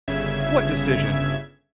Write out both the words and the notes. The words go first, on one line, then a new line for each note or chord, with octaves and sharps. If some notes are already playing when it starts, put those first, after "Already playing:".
What decision?
G1 C#3 E5 G#6